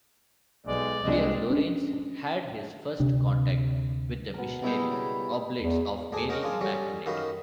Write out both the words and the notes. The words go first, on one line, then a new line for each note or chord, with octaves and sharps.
Here Lorenz had his first contact with the Missionary Oblates of Mary Immaculate.
B1 G#3 D5
C2 G#3 A#3 D4 D#5
C#4 D4
D2 C3 D4
B2 A#4
B1 G3 G#3 E4 D#5 G5
C#3
E2
D2 D4 G#4
G#3 C#4 F#4 A#4 D#5 G5
D4 F4 G#4
D3 F#3 G3 C#4
F#2 D#3 D#4 F#4 F5 B5